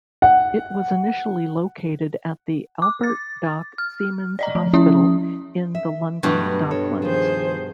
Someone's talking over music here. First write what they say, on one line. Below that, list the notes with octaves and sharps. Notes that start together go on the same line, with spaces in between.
It was initially located at the Albert Dock Seamen's Hospital in the London Docklands.
F#5
D6
A6
F6
D5 D#5 A#5
F3
F3 C#4 E4 E5 D#6
E5
G2 B2 F#3 A3 B4
A4 C#5
D#3 F3 G#4 C5